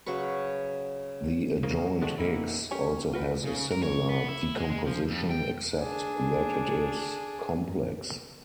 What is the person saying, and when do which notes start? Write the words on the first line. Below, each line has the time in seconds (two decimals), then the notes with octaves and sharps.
The adjoint Higgs also has a similar decomposition, except that it is complex.
0.06 C#3 F#3 B4 C#6
1.63 C#3 F3 A#3
2.02 D3 G#3 A3 C4 D4 F#4
2.18 A#2 E3 A#3 B3 D#4 E4
2.71 C#4 G4 C#5 G#5
3.14 F4 F#4 B4
3.45 C#3
3.72 A#4
3.83 C#5
4.09 B3
4.28 E4
4.57 G#3
4.71 G#3
4.87 F3
5.10 F2
5.31 G5
5.79 D4 G#4